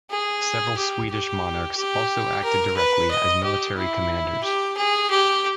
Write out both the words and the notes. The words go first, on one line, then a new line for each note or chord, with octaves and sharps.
Several Swedish monarchs also acted directly as military commanders.
G#4
G4
G4
G4
A#4
B4
D#5
G4
E4
G4
G#4
G4